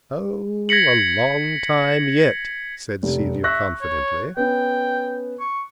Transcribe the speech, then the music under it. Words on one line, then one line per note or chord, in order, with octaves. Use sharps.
"Oh, a long time yet," said Celia confidently.
G#6 A#6 B6 C#7 F#7
F1
E5 C#6 F#6 A#6
C#5
B3 C#4 G5
C#6